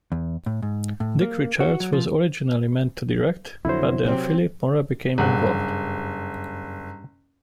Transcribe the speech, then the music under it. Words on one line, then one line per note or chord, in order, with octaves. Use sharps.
Dick Richards was originally meant to direct but then Philippe Mora became involved.
E2
A2
G#2
A2
A#3
F#4
F#3
F3
F2 D3 F#3 E4 C5
C3 F#3 C4
F#1 G2 F#5